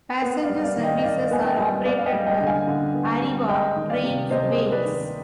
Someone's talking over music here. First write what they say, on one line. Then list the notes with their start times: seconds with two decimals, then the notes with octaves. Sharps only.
Passenger services are operated by Arriva Trains Wales.
0.22 B3
0.43 D5 F5
0.50 G3
0.63 D5 F5
0.77 D#3
0.83 D#5 G5
0.99 D#5
1.04 D#3 D5 F5
1.31 B3 G#5
1.45 D#5 G5
1.58 G3
1.85 B3 D5 F5
1.99 F5
2.06 D#5 G5
2.13 G3
2.27 D#5 G5
2.40 D3
2.47 F5 G#5
2.67 D3
2.95 B3
3.22 G3
3.49 G#3 D#5 G5
3.76 D#3
3.90 D5 F5
4.04 C3
4.31 C3 C5 D#5
4.51 G#4 C5
4.58 G#3
4.72 B4 D5
4.85 D#3